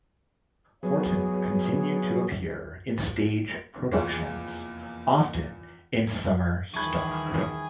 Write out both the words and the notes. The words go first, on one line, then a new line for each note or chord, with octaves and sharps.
Horton continued to appear in stage productions, often in summer stock.
F#3 B3 G#4
F1 E2 A#3 F4 G#4 G5 C6
D#1 D#3 E3 G#4 A5 B5 C#6 G#6